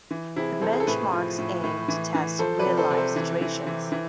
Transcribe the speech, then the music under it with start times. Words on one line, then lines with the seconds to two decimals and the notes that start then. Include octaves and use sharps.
The benchmarks aim to test "real-life" situations.
0.11 E3
0.36 C3 E4 G#4
0.61 C3 A4 C5
0.73 G#4
0.80 A4
0.87 A2 G#4 B4
1.12 F3
1.38 A2
1.63 A2
1.88 E3
2.14 E3
2.39 F3 A4 C5
2.59 B4 D5
2.65 C3
2.77 A4 C5
2.90 C3
2.97 A4 C5
3.16 E3
3.41 E3
3.67 E3
3.92 E3